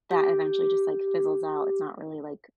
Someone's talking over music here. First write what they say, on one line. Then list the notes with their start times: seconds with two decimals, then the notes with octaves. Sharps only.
that eventually just, like, fizzles out? It's not really, like,
0.11 G4